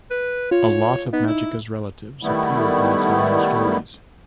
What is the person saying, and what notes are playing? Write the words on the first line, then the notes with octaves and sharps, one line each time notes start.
A lot of Magica's relatives appear in Italian stories.
B4
F4 C#5
B3 D#4
E4
D#3 G3 A3 B3 E4